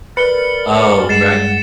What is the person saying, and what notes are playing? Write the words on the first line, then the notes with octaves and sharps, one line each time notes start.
Oh, right.
A#4 B4 D5 B5 C#7 G7
G2 G#3 F#5 A6 C7 E7